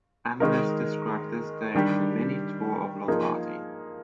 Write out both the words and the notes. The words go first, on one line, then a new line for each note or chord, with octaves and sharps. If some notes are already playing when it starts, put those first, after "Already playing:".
Analysts described this stage as a 'Mini Tour of Lombardy'.
D#3 G#3 D#4 A#4
D#3 G3 D4 G4
F3 A#3 D#4 G#4